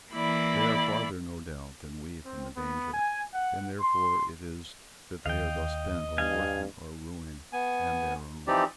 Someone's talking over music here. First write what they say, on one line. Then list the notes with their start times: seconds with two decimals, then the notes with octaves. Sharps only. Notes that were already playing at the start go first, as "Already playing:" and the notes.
They are farther, no doubt, than we from the danger; and therefore it is that they are thus bent on working our ruin and their own.
0.12 E3 A#3 E4 D5 B5
2.25 C4
2.56 B3
2.93 G#5
3.32 F#5
3.79 C6
5.26 D#2 D#5 F5 G5
6.18 G2 F5 G#5
7.53 B3 G#5
8.47 E3 F3 C4 D#4 G4 D5